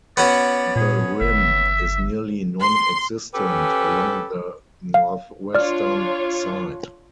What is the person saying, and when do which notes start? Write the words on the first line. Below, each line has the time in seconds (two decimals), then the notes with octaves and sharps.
The rim is nearly non-existent along the northwestern side.
0.17 B3 C#4 F#4 D5
0.76 A#2 G#4
1.21 G1 E5
2.61 C6
3.35 C#4 G4 A4 B4
4.94 F5
5.55 D4 F4 C#5 D5 F6